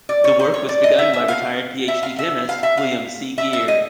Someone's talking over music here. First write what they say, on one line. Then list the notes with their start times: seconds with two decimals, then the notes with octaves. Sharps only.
The work was begun by retired Ph.D chemist, William C. Geer.
0.09 D5
0.24 C#5
0.39 C5
0.54 C#5
0.69 D5
0.84 D#5
0.99 E5
1.14 E5
1.28 F5
1.88 E5
2.03 F5
2.19 E5
2.49 F5
2.63 E5
2.77 F5
3.38 E5
3.53 E5
3.68 D#5